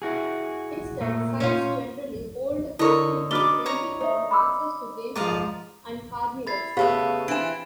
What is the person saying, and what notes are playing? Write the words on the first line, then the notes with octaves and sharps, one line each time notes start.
Instead, sites generally hold activities ranging from dances to game shows and carnivals.
E4 F#4 G#4
A#2 A3 A#4
C#4 D#4 F4
D3 E4 A4 A#4 C#5 D#5
D4 D#4 F#4 B4 D5 D6 F6 G7
C#5 A#5
D#4 C5 E5
B5 D6 E6
G#2 F3 D5 D#5 F5
E4 B5 A6 C7
C#3 A3 B3 G4 C5 F5 B5
E3 C4 D4 F4 G#5 D7 E7